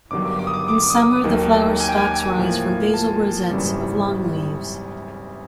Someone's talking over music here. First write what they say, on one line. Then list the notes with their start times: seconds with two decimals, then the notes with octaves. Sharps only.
In summer the flower stalks rise from basal rosettes of long leaves.
0.11 G1 G2 D#3 F#3 D6
0.25 D6
0.39 D6
0.47 D#6
0.54 D6
0.68 D6
0.90 D#6
0.96 D6
1.24 D#2 D#3 F#3 A#3 D#4
1.80 G#5
1.89 G5
1.98 G#5
2.37 A2 F3 A#3
2.94 A5
3.50 G#1 F#2 C#3 E3 G3